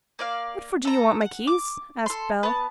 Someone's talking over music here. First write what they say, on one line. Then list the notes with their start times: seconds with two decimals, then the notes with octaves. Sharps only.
'What for do yo' want my keys?' asked Bell.
0.19 A#3 D5 F5
0.85 A4 A#5
1.21 F#5
1.47 D6
2.06 A4 C6
2.43 B3 A5